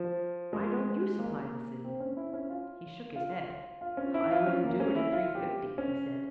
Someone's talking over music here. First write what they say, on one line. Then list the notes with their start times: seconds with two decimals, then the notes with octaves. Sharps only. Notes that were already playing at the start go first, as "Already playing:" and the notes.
Why don't you supply the city?' He shook his head, 'I wouldn't do it at three-fifty,' he said.
Already playing: F3
0.53 G#3
1.19 A#3
1.84 C4
2.00 C#4
2.17 E4
2.33 C#4
2.50 F4
3.16 F4
3.81 F4
3.97 C#4
4.14 E4
4.31 F4
4.46 C#4
4.63 A#3
4.80 C#4
4.96 E4
5.13 F4
5.35 G4
5.78 C#4